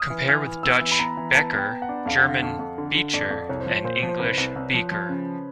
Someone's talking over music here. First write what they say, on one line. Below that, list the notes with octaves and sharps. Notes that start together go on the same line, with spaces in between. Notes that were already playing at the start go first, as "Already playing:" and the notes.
Compare with Dutch "beker", German "Becher" and English "beaker".
Already playing: D#6 F6
E3
E3 F6
E3
B3 E6
E3
B5
B3 A#5
E3
B3 A5
B3
G5
B3
F#5
D4
F2 F5
F#5
D3
F5
F2 F5
F2
D3
D3
F2 D5
F2
C2 C#5
C5
F3 C#5
A#2 C5
F3
C5
C2 B4
C2
C2
F3
F3
C#3